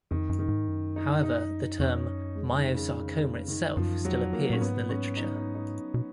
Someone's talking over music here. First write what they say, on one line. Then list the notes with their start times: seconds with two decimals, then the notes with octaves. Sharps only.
However, the term myosarcoma itself still appears in the literature.
0.11 F2 D#3
0.29 F#2
0.39 D#3
0.49 G#2
0.68 F#2
0.96 D#4
1.23 D#4
1.80 F2 C#4
2.08 F#2
2.35 F2 G#3
2.55 D#3
2.74 C#3
3.48 F#2 D#3
3.68 F2
3.77 F#2 F3
4.05 F2 F#3
4.33 A#3
4.50 A#2 C#4
4.61 G#2 B3
4.89 C#4
5.17 D#4
5.35 D#4
5.55 D#4
5.94 B2